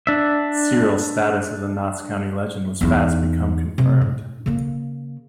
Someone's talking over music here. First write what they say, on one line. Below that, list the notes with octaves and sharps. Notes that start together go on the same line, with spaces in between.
Sirrel's status as a Notts County legend was fast become confirmed.
D4 E5
E2 D#4
C3
A2
C#3 A#3